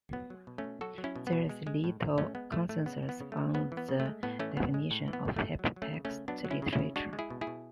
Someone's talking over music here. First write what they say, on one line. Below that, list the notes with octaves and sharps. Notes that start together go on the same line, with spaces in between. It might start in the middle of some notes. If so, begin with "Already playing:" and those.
There is little consensus on the definition of hypertext literature.
F#3 B3
F#3
B2
A3 C#4
B2
F#3 F#4 A4
F#3
C#4 E4
B2
B3
B2
G#3
G#3
A2
A2
G#3 A3 C#4
G#3 B3
A2 A3
A2 A3
C#3 B3
E3
B3
C#3
A3
G#3
C#3 B3
E3
B3
C#3
A3
G#3
A2 B3
E3 A3 C#4
A2 B3
G#3
A2
E3
B3
A2
A3
G#3
F#3
F#3
A3 C#4
C#3
A3 C#4
C#3
F#3 B3 D4
F#3
C#4 E4
C#3
C#4 E4
C#3
G#3 D4 F#4
G#3
E4 G#4
B2
E4 G#4
B2